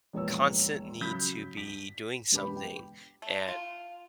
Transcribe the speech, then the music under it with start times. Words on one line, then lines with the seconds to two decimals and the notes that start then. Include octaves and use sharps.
constant need to be doing something, and
0.13 E1 A#1 B4 C#5 E6
1.00 C#3 F#3 B5 G6 B6
1.57 B6
2.32 E1 D3 G4 B4 B5
2.56 G5
3.22 A3
3.48 F4